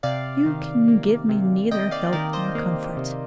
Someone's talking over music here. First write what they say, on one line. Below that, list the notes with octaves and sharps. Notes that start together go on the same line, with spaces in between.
'You can give me neither help nor comfort.'
C3 D5 F5
D#3
A#3
C3
C3 D#5 G5
D5 F5
D#3 A#4 D5
C5 D#5
A#3
C3